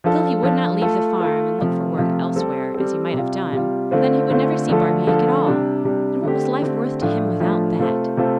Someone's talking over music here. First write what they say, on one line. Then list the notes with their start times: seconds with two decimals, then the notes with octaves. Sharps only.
Still he would not leave the farm, and look for work elsewhere, as he might have done, for then he would never see Barbaik at all, and what was life worth to him without that?
0.04 F3 D4 F4 A4
0.43 F3 D4 F4 A4
0.81 A3 F4 A4
1.20 A3 F4 A4
1.59 C3 F3 A3 F4
1.98 C3 F3 A3 F4
2.36 G3 C4 A4
2.75 G3 C4 A4
3.13 C3 G3 F4
3.53 C3 G3 F4
3.91 D3 A3 C4 F4 C5
4.30 D3 A3 C4 F4 C5
4.69 D3 F3 A3 F4 A4
5.07 D3 F3 A3 F4 A4
5.46 C3 G3 D4
5.85 C3 G3 D4
6.23 D3 A3 C4 G4
6.62 D3 A3 C4 G4
7.01 A2 F3 A3 D4 F4
7.40 A2 F3 A3 D4 F4
7.79 C3 A3 F4 A4 C5
8.17 C3 A3 F4 A4 C5